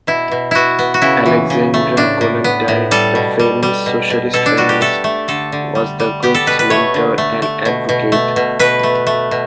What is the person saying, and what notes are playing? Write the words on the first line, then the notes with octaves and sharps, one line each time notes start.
Alexandra Kollontai, the famous socialist feminist, was the group's mentor and advocate.
B2 E4
B2
B3 E4 F#4
B3
F#4
C#3 E4
E3
C#3
A3
A2 D4
A2
B3
A2
G3 A4
B2
G3
G3
B2
B2
B2 A4
D4
G3 F#4
G4
A3 A4
A3
D3 A4
D3
G3
G3
B3 G4
A4
B2 B4
B4
A3 C#5
D3
A3
A3
B2
B2
A3
B2
B2 B4
A3
A3
B2